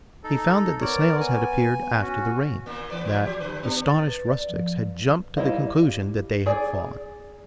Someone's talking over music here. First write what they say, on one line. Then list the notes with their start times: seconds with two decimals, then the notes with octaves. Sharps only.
He found that the snails had appeared after the rain: that "astonished rustics had jumped to the conclusion that they had fallen."
0.24 D#4 A4
0.81 B3 A#4 C#5 D5
1.20 G#5
2.02 C#4 F#4
2.66 A#2 D#3 A#3
2.91 E3 B4 D5
3.05 F3
3.25 F3 G4
3.40 D3 B4
3.63 B3 D4
3.88 A6
4.07 B4
4.27 D5
4.49 F3
5.37 G3 E4 C5 D#5 F5
6.46 G#4 D5 G#5